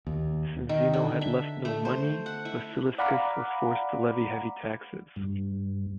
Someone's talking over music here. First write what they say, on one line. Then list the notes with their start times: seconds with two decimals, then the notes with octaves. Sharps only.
Since Zeno had left no money, Basiliscus was forced to levy heavy taxes.
0.07 D#2
0.69 D#3
0.93 D3
1.21 E5
1.65 A3
1.85 C5
2.26 F#5
2.45 E4
2.98 D5 F5 F#5 A#5 B5 D6
5.16 G2